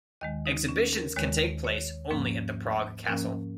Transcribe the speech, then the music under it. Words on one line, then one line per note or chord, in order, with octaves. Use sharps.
Exhibitions can take place only at the Prague Castle.
D#2 D#3 G#3 D#5
D#4
C#4
A#4
D#2 D#3 G#3 C#5
C#5
G#2 F3 A#3 C#4
G#2 F3 A#3 C#4 A#4